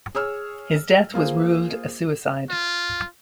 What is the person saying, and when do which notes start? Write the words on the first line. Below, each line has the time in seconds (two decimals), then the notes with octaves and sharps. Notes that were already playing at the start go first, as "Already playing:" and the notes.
His death was ruled a suicide.
0.15 G#4 C#5 E6 F6
1.14 A#3 F4 G#4 C5
2.50 F4